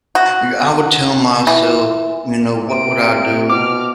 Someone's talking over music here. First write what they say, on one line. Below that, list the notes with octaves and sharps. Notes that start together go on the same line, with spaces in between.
y I would tell myself, you know, what would I do?
F#4
E3
C3 A#3 D7
B2 D6 F6